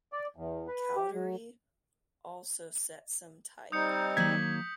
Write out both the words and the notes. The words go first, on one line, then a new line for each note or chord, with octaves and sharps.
Cowdery also set some type.
D5
E2
B4
G4
F#3
G3 C4 D#4 D#6 G6 C#7
D#3 F#3 A#3 G#6 B6 F#7